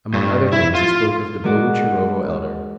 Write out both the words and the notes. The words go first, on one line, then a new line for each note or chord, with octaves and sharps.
Among other things he spoke of the Bogucharovo elder.
G2
E4
F4
D#3 G#3 F#4 D5